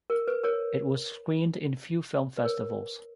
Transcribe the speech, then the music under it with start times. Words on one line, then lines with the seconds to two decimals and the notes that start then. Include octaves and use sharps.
It was screened in few film festivals.
0.10 A#4
0.28 B4
0.43 A#4 C#5
2.37 B4
2.45 A#4 C#5